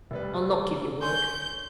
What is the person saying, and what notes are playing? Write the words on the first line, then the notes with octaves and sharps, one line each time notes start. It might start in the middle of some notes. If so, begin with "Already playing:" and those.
I'll not give you work.
F1 G3 B4
C#5 G#5 C6 G6